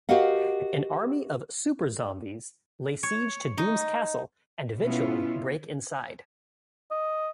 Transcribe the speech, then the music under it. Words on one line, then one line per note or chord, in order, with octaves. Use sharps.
An army of super-zombies lay siege to Doom's castle and eventually break inside.
F#4 G4 A#4 D#5 F5 F#5
C#5
D#4
B2 B3 C#4 E4 F4
D#5